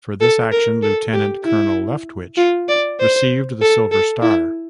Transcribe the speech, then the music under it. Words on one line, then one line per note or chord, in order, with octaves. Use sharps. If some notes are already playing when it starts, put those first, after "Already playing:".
For this action, Lieutenant Colonel Leftwich received the Silver Star.
A4
A#4
A4
G4
E4
F4
D5
C5
A4
A4
E4